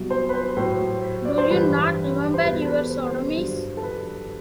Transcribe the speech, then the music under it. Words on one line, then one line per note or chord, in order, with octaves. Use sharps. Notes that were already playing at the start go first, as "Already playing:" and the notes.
Do you not remember your sodomies?
Already playing: C2 B2 F#3
C5
B4
C5
A2 F#3 C5
D5
C5
G2 E3 G3 B4
C5
E2 B2 G3 B4
A4
B4
C5
B4
C5
G2 D3 F#3
A4
B4